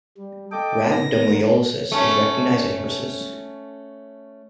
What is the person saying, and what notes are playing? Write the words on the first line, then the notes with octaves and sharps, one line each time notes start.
Rhabdomyolysis is recognized in horses.
G3
A4 D#5 G5 D6
D#3 B3 A#4 A#6
A3 C#4